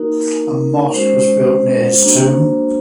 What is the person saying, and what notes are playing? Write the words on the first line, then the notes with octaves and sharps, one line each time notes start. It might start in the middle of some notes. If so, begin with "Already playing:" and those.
A mosque was built near his tomb.
Already playing: A#3 D#4 F#4 A#4
G#3 C#4 F#4 C5
A#3 D4 F#4